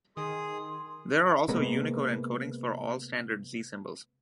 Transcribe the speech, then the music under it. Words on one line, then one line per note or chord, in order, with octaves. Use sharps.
There are also Unicode encodings for all standard Z symbols.
D#3 G#4 C6 D#6
C3 G#3 A#3 B3